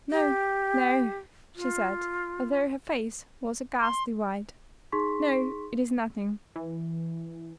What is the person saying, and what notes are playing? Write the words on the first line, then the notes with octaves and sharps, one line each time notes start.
'No, no,' she said, although her face was a ghastly white, 'no, it is nothing.
G4
F4
C6
D#4 G#4 C6 C#6 B6
E3